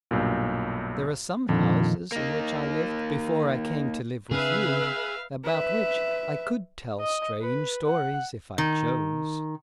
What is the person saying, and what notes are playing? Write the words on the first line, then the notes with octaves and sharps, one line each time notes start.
There are some houses in which I lived, before I came to live with you, about which I could tell strange stories if I chose.
B1 G2 A#2
F2 A#2 D3 D#3 F3
A#3 D#4
C#3 C4 D4 G#4 B4 E5 F5
B4 E5
D#5
B4
F#5
D#3